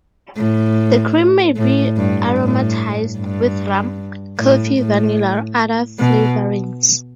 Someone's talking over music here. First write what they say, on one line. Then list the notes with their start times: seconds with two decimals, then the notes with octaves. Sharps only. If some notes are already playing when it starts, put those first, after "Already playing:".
The cream may be aromatized with rum, coffee, vanilla, or other flavorings.
0.37 A2
1.57 A2
1.97 G2
2.38 A2
3.18 G2
4.38 A2
4.78 A2
5.99 B2